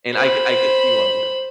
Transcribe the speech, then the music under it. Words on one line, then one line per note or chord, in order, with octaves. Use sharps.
and, I cou I could see why it is.
C5 B5